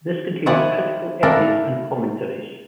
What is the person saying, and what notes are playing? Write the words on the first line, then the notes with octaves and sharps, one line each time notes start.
This contains critical essays and commentaries.
D#3 F3 E4 D5 F#5 G#5
A#3 D4 E4 A4 A#4